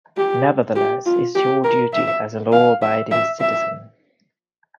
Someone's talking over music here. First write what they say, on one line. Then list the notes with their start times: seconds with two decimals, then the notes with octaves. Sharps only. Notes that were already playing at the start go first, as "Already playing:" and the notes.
Nevertheless, it’s your duty, as a law-abiding citizen.
0.17 G4
0.76 G4
1.06 F4
1.35 G4
1.64 A#4
1.93 E5
2.52 F5
2.82 E5
3.11 E5
3.40 E5